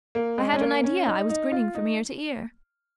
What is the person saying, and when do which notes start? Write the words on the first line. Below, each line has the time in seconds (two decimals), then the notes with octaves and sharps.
"I had an idea I was grinning from ear to ear."
0.15 A#3
0.38 G#3
0.52 C#4
0.61 A#3
0.84 C#4
1.07 D#4
1.29 D#4
1.52 F4
1.75 D#4